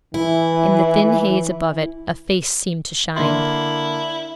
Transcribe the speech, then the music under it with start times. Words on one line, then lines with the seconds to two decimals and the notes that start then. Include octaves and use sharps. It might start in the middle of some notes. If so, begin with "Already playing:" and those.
In the thin haze above it a face seemed to shine.
0.14 E3 E4
3.16 D3 A#3 E4 C6